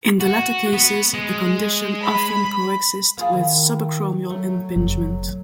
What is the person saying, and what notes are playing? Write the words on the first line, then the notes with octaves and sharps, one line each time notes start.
In the latter cases the condition often co-exist with subacromial impingement.
F#4
B3
G#3
B5
A#3 F4 G#4
D#3 E4
F#3 A3
F#1